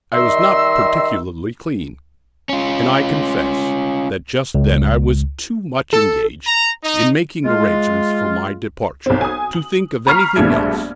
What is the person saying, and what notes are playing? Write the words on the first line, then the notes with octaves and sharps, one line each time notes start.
I was not particularly clean, and I confess that just then I was too much engaged in making arrangements for my departure to think of anything else.
D#3 G3 D#5 E5 C6 E6
C#4 F4
C#2
A4
A#5
D#4
G#3 F4
B1 C4
G#5 D#6
F#7
A#5 B5 C#6 F6 B6 C7
A#1 G2 B2 A3 E5 G#6